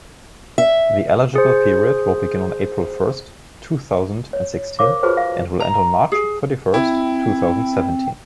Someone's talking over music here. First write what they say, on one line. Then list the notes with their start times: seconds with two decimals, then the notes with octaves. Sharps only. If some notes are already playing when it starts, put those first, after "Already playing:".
The eligible period will begin on April first, two thousand and sixteen, and will end on March thirty first, two thousand seventeen.
0.58 E5
1.36 G#4 C5
4.33 C#5
4.79 A#4 C5 C#5 F5 C#6 D6
5.03 F4 F#4 G#4 B4 C5 A5
5.17 F5
5.60 A#5
6.12 G#4
6.74 C4 E4